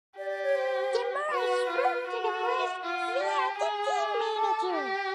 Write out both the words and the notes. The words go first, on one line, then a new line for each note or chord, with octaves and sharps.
De Moura spoke to the press via the team manager.
G4 D5
D5
C#5
C5
F#4 B4
F4
F#4
G#4
A4
A#4
E5
F4 F#5
G4 A5
G#4 A#5
D#6
D6
A4 D6
G4